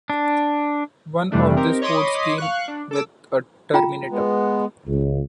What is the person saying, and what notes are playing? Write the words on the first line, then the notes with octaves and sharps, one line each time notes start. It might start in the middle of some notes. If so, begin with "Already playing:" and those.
One of these ports came with a terminator.
D4
F2 C3 E3 G3 A3 D4
C4 D#4 G4 A#4
C#5 D#5 B5 C6 D6 D#6
F5 C#6 F#6
D4
A4 D6 E6
F4 G5 A#5
G#3 B3
C#2